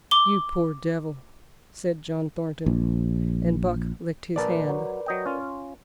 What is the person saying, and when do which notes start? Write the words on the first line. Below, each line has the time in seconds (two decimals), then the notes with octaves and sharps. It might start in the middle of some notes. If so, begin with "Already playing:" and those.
"You poor devil," said John Thornton, and Buck licked his hand.
0.11 D6 G7
2.66 A#1
4.36 A#1 A#4 B4 D5 A5
4.69 F#3
5.06 F#3 D#5 G5
5.26 C#4 F4